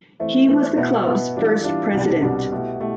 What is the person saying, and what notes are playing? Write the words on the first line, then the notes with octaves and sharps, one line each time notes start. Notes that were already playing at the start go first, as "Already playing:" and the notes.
He was the club's first president.
E3 A3 C4
E3 A3 C4
B2 B3 E4
B2 B3 E4
E3 G3 D4 F4
E3 G3 D4 F4
C2 B2 G3 D4
C2 B2 G3 D4
B2 A3 E4 G4
B2 A3 E4 G4